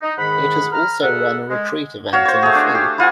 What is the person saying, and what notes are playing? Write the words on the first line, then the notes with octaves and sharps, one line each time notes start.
It has also run a retreat event in the fall.
D#4
G#2 D#3 G#4 F#5 B5
A#5 F6
A#2 G#4 A4 E5 F#5
G#3
F#4 C#5 F5
C5 C#5
A3 G#4
D4
G4
E4 F4 F#5 G#5